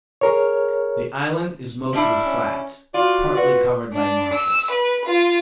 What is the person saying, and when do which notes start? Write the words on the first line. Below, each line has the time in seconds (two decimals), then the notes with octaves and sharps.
The island is mostly flat, partly covered by marshes.
0.21 G#4 A#4 C#5
1.93 G3 D4 E4
2.25 C#4
2.94 F4 F#4 D5
3.36 F#4 B4
3.93 D4
4.34 E6
4.71 B4
5.06 F4